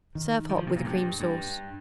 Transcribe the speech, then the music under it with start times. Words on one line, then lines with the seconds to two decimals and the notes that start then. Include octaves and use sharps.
Serve hot with a cream sauce.
0.15 D#3
0.49 D#3
0.58 F3
0.67 C3
0.76 A#2
0.84 G2
1.20 G2